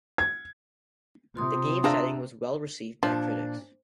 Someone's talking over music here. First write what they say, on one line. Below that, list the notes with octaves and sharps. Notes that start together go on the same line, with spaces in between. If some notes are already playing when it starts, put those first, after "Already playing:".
The game's setting was well received by critics.
G#6
C3 F4 C6 D#6
D4 G#4 C5 E5 F5 A#5
A#2 F3 D4